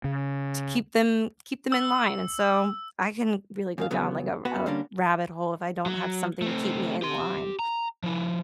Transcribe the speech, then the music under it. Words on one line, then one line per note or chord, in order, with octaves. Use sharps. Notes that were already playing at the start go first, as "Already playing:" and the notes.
to keep them keep them in line, and, so, I can really go down, like, a r a rabbit hole if I don't have something to keep me in line.
C#3
E6
E2 G#2 F5
F#2 C#3 E3 F#3 B3
B3 F#4 B4
D3 G3 A#3 C#4 D4
F#3
A3 C4
G4 C6
A#5
F3 E4